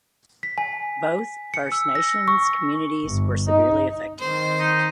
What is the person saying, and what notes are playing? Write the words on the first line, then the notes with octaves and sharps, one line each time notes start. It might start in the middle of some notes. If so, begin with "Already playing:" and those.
Both First Nations communities were severely affected.
B6
G#5
C#7
E6
A#6
C#6
G1
D#4
D#3 C4 C5
D#4